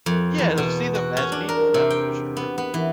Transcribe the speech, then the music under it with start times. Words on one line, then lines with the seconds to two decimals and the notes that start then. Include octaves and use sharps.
Yeah, they'll see them as people, that's for sure.
0.06 F2
0.38 E2
0.58 B2
0.95 F#4
1.17 C#4
1.32 D4
1.49 A#4
1.74 C3
1.90 G5
2.37 B3
2.58 B3
2.74 E3